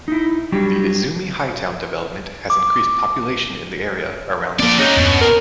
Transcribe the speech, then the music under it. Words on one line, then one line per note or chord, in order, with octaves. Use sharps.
The Izumi Hightown development has increased population in the area around the station.
D#4 E4
F#3 G3 D4 G4
D6
F3 A#3 C4 D5
C#4 D#4 F#4
E2 G2 B2
A#4